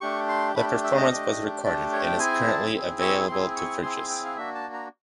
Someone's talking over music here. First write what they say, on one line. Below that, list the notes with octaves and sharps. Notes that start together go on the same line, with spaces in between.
The performance was recorded and is currently available to purchase.
A3 D4 G4 C#6
C6
A3 D4 G4 B5
E5
D#5
A3 D4 G4
A3 D4 G4 D5
C#5
G5
C4 E4 G#4 G#5
A5
C4 E4 G#4
C#6
C4 E4 G#4 C6
C#6
C4 E4 G#4 C6
C6
G5
F5
A#3 D4 F#4 E5
A5
A#5